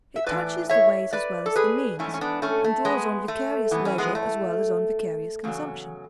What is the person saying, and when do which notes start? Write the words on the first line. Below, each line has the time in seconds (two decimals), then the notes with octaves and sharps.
It touches the ways as well as the means, and draws on vicarious leisure as well as on vicarious consumption.
0.16 E5
0.26 A2 E3 B4 D5
0.69 C#5 E5
1.13 B4 D5
1.46 A4
1.56 G#4 B4
1.99 G#2 E3 A3 C#4
2.14 C#4
2.21 B3 D4
2.42 A3 C#4
2.64 A3
2.85 G#3 B3
3.28 A3
3.71 F#2 E3 B3
3.85 C#4
3.98 G#3 B3
4.15 A3
5.44 E2 C#3 F#3